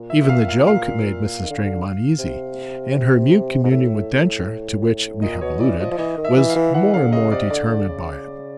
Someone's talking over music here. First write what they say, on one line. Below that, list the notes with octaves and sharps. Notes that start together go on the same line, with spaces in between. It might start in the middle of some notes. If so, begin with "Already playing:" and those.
Even the joke made Mrs. Stringham uneasy, and her mute communion with Densher, to which we have alluded, was more and more determined by it.
Already playing: A#2
E5
E5
F5
F5
F5
D#3
D3
C#3
D3
C3
G#2
A2 E5
A#2 D#5
B2 C#5
E3 D5
F3 D#5
F3
E3 D#5
D#3
E5
F3
E3
F5
E3
E3 F#5
D3 F5
C#3 D#5
C3 D5
D3 D5
C#3